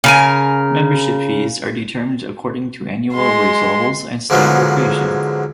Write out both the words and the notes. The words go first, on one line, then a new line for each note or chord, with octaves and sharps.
Membership fees are determined according to annual wage levels and state location.
C#3 A#4 G#5
G#3 C6
G#2 D3 F3 F#3 G#3 B3